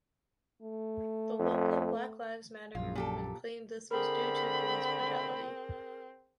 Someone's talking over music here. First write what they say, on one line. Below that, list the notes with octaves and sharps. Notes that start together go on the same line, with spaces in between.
The local Black Lives Matter movement claimed this was due to police brutality.
A3
F2
A#1 F#2 F4
A#2 G4 A4
D3 C4 G#4 A#4 B5